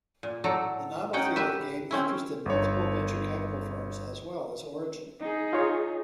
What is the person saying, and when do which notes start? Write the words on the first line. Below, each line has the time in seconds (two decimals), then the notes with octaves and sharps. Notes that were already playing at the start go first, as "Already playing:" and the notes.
The novelty of the game interested multiple venture capital firms as well as Origin.
0.23 A#2
0.44 A2 F#3 A4 D5 A#5
1.13 C#4 D#4 F#5 G5
1.36 G4 B4 E5
1.91 C4 C#4 E4
2.46 G1 C#5
5.20 D#4 G#4
5.53 F4 C#5